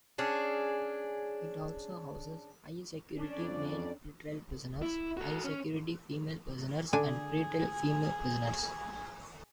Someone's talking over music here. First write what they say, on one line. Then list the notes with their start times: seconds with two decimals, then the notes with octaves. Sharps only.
It also houses high-security male pre-trial prisoners, high-security female prisoners, and pre-trial female prisoners.
0.18 C#4 D4 G#4
3.16 C#4 D4
3.32 F2 D5
4.82 E4
5.17 F#4 A4
5.44 C#4
6.93 D3 D4 G#4 G#5